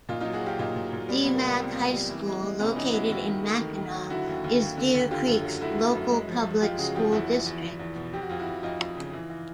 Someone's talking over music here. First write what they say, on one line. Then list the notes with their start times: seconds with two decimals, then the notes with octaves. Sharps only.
Dee-Mack High school, located in Mackinaw, is Deer Creek's local public school district.
0.09 A#2 D#4 F4
0.20 F#3 D#4 F4
0.34 F#4 G#4
0.42 F#3 F4 G4
0.59 A#2 D#4 F4
0.76 A#2
0.93 A#2
1.08 G3 B3
1.22 C#2 B3
1.34 A#3
1.43 C#2
1.60 C#2 A#3 C4
1.76 C#2
1.93 G3
2.09 E3
2.27 G#3
2.43 G#3
2.60 C3 B3 C#4
2.76 E3 C#4 D#4
2.93 G#3 E4 F#4
3.09 D#2 E4 F#4
3.27 D#3
3.44 A3
3.60 D#3
3.78 D#3
3.94 F#3
4.10 D3 E4 F#4
4.28 D#2
4.44 D#2
4.61 D#2
4.77 D3
4.95 D#2
5.11 D3 F4 G4
5.27 F#2
5.45 F#3
5.61 A3 E4 F#4
5.78 A3
5.95 F#2
6.11 G#3
6.28 F3
6.45 F3
6.61 G#3 F4 G4
6.78 C#3 F#4 G#4
6.95 F3 F4 G4
7.12 E2 E4 F#4
7.28 E2
7.46 E2
7.62 E2
7.79 E2
7.96 B2
8.13 F2 G4
8.21 F#4
8.30 F2 F4
8.39 E4 F#4
8.46 F2
8.63 F2 D#4 F4
8.80 F2
8.97 C#3
9.13 E3
9.30 E3